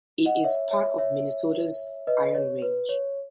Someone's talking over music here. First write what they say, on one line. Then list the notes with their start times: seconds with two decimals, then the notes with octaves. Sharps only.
It is part of Minnesota's Iron Range.
0.25 D#5 F#5
0.44 C#5 E5
0.71 C#5 E5
0.98 C#5 E5
2.07 B4 D#5
2.34 C#5
2.62 B4
2.89 C#5